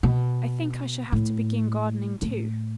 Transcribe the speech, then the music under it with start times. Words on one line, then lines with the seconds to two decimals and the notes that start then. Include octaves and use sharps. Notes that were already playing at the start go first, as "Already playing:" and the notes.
"I think I shall have to begin gardening, too."
0.03 B2
1.12 A2
2.22 A2